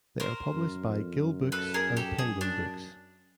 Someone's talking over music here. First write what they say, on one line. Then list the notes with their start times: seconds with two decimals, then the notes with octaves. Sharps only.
They are published by Gill Books and Penguin Books.
0.20 A#4 C5
0.54 F#2
0.86 F2
1.20 F#2
1.52 A4 B4
1.74 G#4 A#4
1.97 G4 A4
2.19 F#2 G#4
2.41 D4